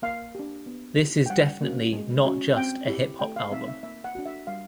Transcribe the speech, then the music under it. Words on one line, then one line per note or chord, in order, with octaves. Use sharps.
This is definitely not just a hip-hop album.
A#3 F5
D4 G4
B3
E4 G4
G5
G3 F#5
A#3 C#4 F#4
G#3
C#4 F#4
C4 G5
E4 G4
A3 G5
F5
C4 D#4 E5
E5
A#3 E5
F#5
D4 F#4
E5
G3 F5